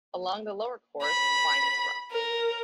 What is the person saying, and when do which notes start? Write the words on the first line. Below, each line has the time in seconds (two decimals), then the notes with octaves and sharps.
Along the lower course, wine is grown.
1.02 B5
2.11 A#4